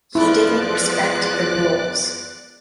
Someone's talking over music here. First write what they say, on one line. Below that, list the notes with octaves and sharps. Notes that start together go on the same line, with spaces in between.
He didn’t respect the rules.
F3 G#3 B3 E4 D5 F#6